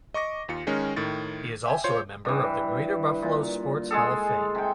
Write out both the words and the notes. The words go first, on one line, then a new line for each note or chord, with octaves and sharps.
He is also a member of the Greater Buffalo Sports Hall of Fame.
D#5 C#6 D6 A#6
D#2 F4 C#7
D#3 G#3 C#4 A#4
A2 D#3 A6
E5 G5 G#5
F4 C5 C#5 C6 G6
G2 E3
A#2
G#3 G#4 A4
C3 G5